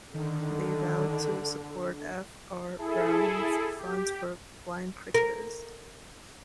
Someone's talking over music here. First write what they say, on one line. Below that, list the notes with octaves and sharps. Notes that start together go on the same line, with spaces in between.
They vowed to support F R Brown's Fund for Blind Cricketers.
D3 D#3
E4 G#4 A4
G4
A#4